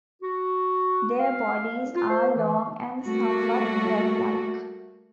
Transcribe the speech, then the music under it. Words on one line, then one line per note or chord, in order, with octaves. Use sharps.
Their bodies are long and somewhat rat-like.
F#4
F5
F4
C5
E3
G3 A3 A#3 F#4 A4